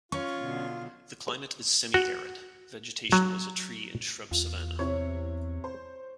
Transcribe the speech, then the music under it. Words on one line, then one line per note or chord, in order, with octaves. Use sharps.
The climate is semi-arid, vegetation is a tree and shrub savanna.
C#4 F4 C#5 C#6
B2 D3 F#3
F#4
F#3
E2 F4
C3 C4 E4 C#5
C5